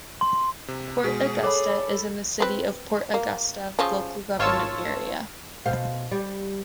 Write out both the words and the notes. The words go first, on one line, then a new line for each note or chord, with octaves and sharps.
Port Augusta is in the City of Port Augusta local government area.
C6
C3
B2 G#3 G#4 B6
A4 C#5 B5 D6
C4 B4
A#3
C#3 F3 C#4
G#1 F4 C#5 A5 E6
B2 C5 F5
G3